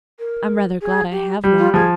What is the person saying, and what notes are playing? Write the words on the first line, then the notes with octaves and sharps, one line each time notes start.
I'm rather glad I have one.
A#4
G#4
G4
G3
F4
F3 G#4